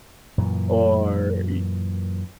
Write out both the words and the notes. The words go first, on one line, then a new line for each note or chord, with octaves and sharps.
Or y
F#2 A#2 E3